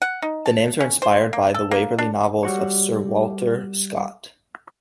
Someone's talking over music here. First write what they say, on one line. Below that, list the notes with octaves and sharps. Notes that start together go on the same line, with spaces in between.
The names are inspired by the Waverley novels of Sir Walter Scott.
F#5
D#4
A5
C#4
C5
A#3
A4
A#3
D4
G3 F#4 C#5